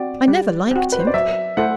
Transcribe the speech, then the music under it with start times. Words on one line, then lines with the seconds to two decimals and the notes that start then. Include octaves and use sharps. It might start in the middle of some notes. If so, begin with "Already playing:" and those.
'I never liked him.
Already playing: C4 F#4 D5
0.28 G3
0.71 C4 F#4
0.92 B4
1.00 C5
1.07 D5
1.14 F#3 E5
1.57 A3 E4 A4 C5 F#5